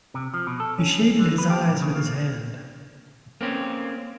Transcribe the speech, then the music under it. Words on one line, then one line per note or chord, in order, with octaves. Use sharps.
He shaded his eyes with his hand.
C3
F3
B2
A4
C#4
D3
B4
G4
A#2
C#3
A#3
A#3 C4 C#4